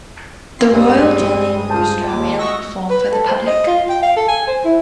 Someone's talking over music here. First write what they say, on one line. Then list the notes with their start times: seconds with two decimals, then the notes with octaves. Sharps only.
The Royal Jelly Orchestra rarely perform for the public.
0.59 C4 F4 C7
0.72 G2 G3 G#3 C4 D#6
1.70 F4 C5 A5
2.08 D#2 G#3 D6
2.39 F#4 D#5 C#6 E6 A#6
2.90 B4
3.12 A4
3.28 C5
3.47 D#5
3.67 F4
3.89 G5
4.03 F5
4.16 A4
4.28 G#5
4.47 C5
4.65 E4